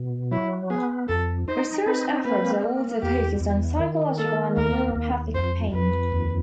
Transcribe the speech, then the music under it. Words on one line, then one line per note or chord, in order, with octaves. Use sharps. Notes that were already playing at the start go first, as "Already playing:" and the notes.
Research efforts are also focused on physiological and neuropathic pain.
Already playing: B2
F#3 E4
B3 G#4
F2 A4
D#4 C5
C4 B4
A#3 B4
A#3
E2 G4
E2
D#3
A#3 A4
D#2 A#4
D#2
F2 C5
F2 B4
D#2